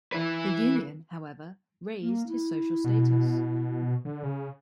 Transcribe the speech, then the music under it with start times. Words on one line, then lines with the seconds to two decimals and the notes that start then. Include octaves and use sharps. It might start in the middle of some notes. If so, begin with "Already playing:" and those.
The union, however, raised his social status.
0.12 E4 B4
2.02 A#3
2.27 E4
2.84 B2
4.05 D3
4.23 C#3